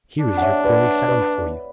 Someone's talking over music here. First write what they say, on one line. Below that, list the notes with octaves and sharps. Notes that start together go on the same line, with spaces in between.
Here is your quarry found for you.
D4
F#5
C#5 E5
B4 D5
B4 D5